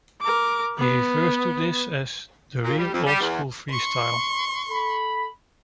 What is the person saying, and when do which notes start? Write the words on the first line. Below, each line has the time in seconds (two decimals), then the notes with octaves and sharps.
He refers to this as "the real old-school freestyle".
0.21 A#4 D6
0.77 B3
2.64 A#2
2.78 G3
2.93 F2
3.07 G3
3.20 E2
3.70 C6 C#6
4.69 A4 B5